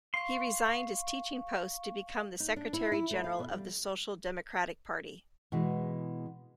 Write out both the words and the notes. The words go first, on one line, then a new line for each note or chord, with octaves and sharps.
He resigned his teaching post to become the secretary-general of the Social Democratic Party.
F5 C6 C#6
D#4
D4
E4
E4
A3
F5
B2
G3
B2 E3 G#3